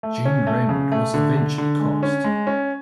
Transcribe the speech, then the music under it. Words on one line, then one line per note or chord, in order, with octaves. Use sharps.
Gene Raymond was eventually cast.
A3
C#4
A3
C#3
A3
D3
D3
D3
G#3
C#4
G#3
C#4